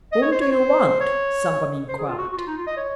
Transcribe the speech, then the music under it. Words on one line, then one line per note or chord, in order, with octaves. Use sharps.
"Whom do you want?" someone inquired.
D#5
C#5
C5
C#5
C5
C#5
C5
G#4
F4
F#4
F#4
F4
D#4
F4
D#5
C#5